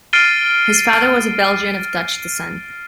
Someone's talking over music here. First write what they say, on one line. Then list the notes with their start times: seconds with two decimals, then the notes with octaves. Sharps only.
His father was a Belgian of Dutch descent.
0.13 F6 A6 C7 D7 D#7 G7